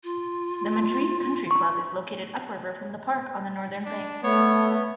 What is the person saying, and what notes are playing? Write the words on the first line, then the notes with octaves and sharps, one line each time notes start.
The Madrid Country Club is located upriver from the park on the northern bank.
F4
C#6
D4
A3 B3 C#5